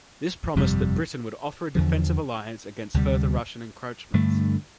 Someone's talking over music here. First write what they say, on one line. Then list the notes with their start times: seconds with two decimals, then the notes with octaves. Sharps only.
This promised that Britain would "offer a defensive alliance against further Russian encroachments".
0.56 G1 F2 C3 G3
1.75 E2 D3 F3
2.94 D2 C3 G3
4.14 G2 D3 A3